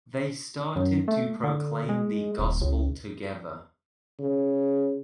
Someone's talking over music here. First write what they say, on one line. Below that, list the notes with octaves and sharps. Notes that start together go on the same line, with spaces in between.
They started to proclaim the Gospel together.
F#2
A3
D3
G#3
D#1
C#2
C#3